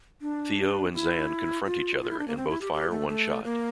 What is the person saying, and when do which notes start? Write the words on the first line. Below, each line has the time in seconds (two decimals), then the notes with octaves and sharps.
Theo and Xan confront each other and both fire one shot.
0.22 D4
0.94 E4
1.65 F4
2.02 F4
2.10 E4
2.19 D4
2.28 A#3
2.37 C4
2.49 E4
2.61 G4
2.73 G4
2.91 A3
3.09 A3
3.44 A#3